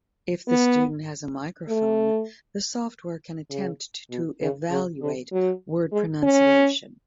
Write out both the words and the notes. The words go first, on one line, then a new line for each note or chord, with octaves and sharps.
If the student has a microphone, the software can attempt to evaluate word pronunciation.
B3
A3
C#3
B2
C#3
C#3
D3
F#3
G#3
C#4